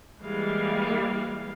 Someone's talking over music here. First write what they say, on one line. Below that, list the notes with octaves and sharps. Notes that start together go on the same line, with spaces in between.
Dear me!
E3 G3 G#3 A#3 F5